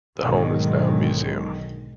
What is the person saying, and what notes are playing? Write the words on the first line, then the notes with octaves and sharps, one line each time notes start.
The home is now a museum.
B1 G#2 D3 D#3 F#3 G#3